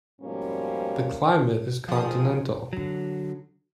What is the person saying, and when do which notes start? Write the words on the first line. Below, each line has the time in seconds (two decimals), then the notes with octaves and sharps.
The climate is continental.
0.21 G#2 B2 F3 G3 A#3 C#4
1.89 D#3 F3 C4 G#4 D#6
2.73 D3 F#3